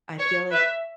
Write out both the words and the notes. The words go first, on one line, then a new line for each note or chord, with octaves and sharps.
I feel like
C#5
B4 E5